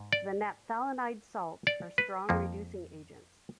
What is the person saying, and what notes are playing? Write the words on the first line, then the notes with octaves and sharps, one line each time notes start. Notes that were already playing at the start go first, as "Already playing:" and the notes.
The naphthalenide salts are strong reducing agents.
Already playing: G#2
D5
D5
B4
F2 F3 A#3